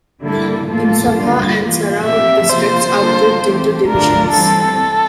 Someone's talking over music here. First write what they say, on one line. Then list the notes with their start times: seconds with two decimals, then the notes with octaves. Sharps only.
In Sabah and Sarawak districts are grouped into "Divisions".
0.21 D3 G3 A#3 E4 A4
0.67 A2 E3 A#3 F4 A4
1.12 D3 G3 A#3 F4
1.59 E3 A#3 F4
2.04 A#2 F3 C4 G4 E5
2.50 C3 F3 A#3 F4 C5
2.95 D3 G3 A#3 F4 A4
3.41 E3 A3 C4 G4
3.87 D3 A3 D4 F4 A#4
4.33 E3 G3 C4 A4